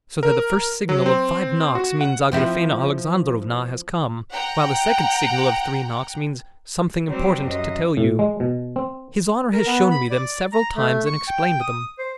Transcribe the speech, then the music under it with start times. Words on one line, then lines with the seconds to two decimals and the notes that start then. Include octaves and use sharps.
So that the first signal of five knocks means Agrafena Alexandrovna has come, while the second signal of three knocks means 'something important to tell you.' His honor has shown me them several times and explained them.
0.23 A#4
0.89 F#3
1.06 C4
1.75 F#4
2.01 F#5
2.32 F3 C4 E4
4.31 F#5 G5 A#5
7.08 F#3 G3 C4
7.44 F#2 D#5
7.97 A2
8.19 G#3
8.40 B2
8.76 C4
9.53 A#4
9.66 B3
9.91 B5
10.10 D5
10.52 A#5
10.76 A3
11.06 C#6
11.28 G5
11.60 D#6
11.99 C5